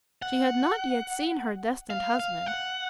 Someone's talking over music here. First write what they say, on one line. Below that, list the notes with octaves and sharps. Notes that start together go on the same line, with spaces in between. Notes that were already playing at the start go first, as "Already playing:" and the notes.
She had not yet seen her destined husband.
F#5
F5
F5
F#5